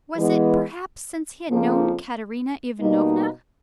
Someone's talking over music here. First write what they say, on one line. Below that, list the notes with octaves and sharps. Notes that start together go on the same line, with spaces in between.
Was it perhaps since he had known Katerina Ivanovna?
E3 G#3 B3
F2 C#3 F3 A#3
B2 G3 A#3 D#4